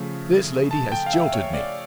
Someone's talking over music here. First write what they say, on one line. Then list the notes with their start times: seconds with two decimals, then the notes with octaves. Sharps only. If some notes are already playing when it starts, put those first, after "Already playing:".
"This lady has jilted me."
Already playing: C#3 F3 A3
0.71 A5
0.92 G5
1.06 F5
1.13 E5
1.33 C#5
1.54 D5